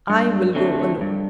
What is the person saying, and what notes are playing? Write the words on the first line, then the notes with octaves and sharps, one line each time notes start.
"I will go alone."
G2
D3 A3 C4
G2